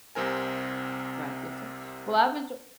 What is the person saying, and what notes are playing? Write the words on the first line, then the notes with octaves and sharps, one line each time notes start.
Right, yes, sir, well, I've enjo
C2 C3 C4 A#4 G#5